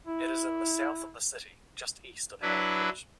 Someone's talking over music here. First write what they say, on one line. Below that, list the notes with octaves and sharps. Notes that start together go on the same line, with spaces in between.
It is in the south of the city, just east of Handbridge.
E4
F#3 D4 E4 B4